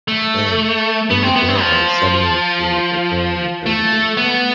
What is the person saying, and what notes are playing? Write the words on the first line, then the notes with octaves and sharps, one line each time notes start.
Then, in the doorway suddenly appeared a girl in a dirty apron.
A3
B3
C4
B3
C4
F3
A3
B3